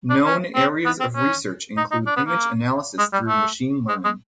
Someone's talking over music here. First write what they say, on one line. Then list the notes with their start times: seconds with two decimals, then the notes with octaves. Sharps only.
Known areas of research include image analysis through machine learning.
0.10 D4
0.25 C#4
0.55 C4
0.85 B3
1.00 C4
1.15 C#4
1.77 D#4
1.91 D#4
2.06 D4
2.16 B3
2.28 A#3
2.99 G#3
3.13 G3
3.28 A3
3.89 G#3
4.04 G#3